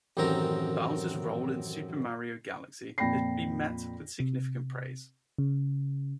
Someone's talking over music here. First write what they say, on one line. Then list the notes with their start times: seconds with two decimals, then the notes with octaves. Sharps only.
Bowser's role in "Super Mario Galaxy" has been met with significant praise.
0.17 A1 F#2 D#3 C4 A#4 A#5
2.98 F2 A#2 G5 B5 A#6 C7
4.20 C3
5.38 C#3